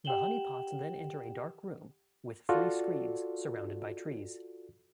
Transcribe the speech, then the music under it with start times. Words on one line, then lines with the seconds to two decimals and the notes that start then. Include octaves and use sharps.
The honey pots then enter a dark room with three screens surrounded by trees.
0.05 G4 F#5 G5 E7 F#7 G7
2.49 F4 F#4 A4 D5